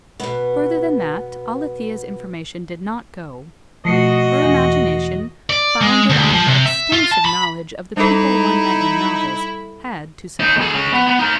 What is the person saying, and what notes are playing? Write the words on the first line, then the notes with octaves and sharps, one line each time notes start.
Further than that Alethia's information did not go; her imagination, founded on her extensive knowledge of the people one met in novels, had to supply the gaps.
B2 B3
B2 F3 A3 F#4 D#5 C7 C#7
E2 E3
D5
G#3
D2
F3
C3
E5
F4
A5
B5
G3 D#4 E4 A4
D#2 D#4
G#4 A4
G#3 C#4
B3
B3
D#4 F5